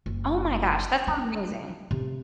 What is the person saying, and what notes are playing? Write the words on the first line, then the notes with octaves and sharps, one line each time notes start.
Oh my gosh, that sounds amazing.
F#1
D4
C3